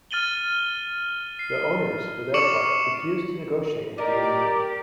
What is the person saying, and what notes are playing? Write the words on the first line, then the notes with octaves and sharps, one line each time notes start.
The owners, for their part, refused to negotiate with the union.
F6 A6 D#7 F#7 G7
C7
C#6 D6 C#7 D7 E7 F#7
G4 A#4 D5 D#5